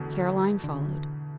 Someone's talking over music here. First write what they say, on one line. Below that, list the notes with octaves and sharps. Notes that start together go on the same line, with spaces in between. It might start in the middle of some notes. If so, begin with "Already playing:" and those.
Caroline followed.
Already playing: E2 B2 D3 A3
D3